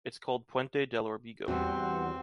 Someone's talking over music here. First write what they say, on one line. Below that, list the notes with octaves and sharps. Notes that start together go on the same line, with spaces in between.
It's called Puente del Órbigo.
E2 G3 C4 F#4 F#5